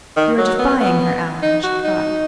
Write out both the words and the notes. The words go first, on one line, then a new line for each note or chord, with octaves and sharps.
"You are defying her, Allan!" she cried.
D#3
F#3
B3
B3
D#4
F#4
D#4